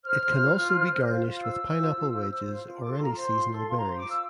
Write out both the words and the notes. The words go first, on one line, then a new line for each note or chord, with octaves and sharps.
It can also be garnished with pineapple wedges or any seasonal berries.
C5 F6
C5
F4
F4
C5
C5
F4
F4
C5 E6
C5
F4
F4
C5
C5
F4
F4
A4 D6
C6
F4 A#5
C6
C5
F4
A4
F4
A#5
C5 C6
D6
F4
E6